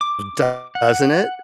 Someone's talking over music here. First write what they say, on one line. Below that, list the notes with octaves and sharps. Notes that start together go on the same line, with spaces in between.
Doesn't it?
D6
F#5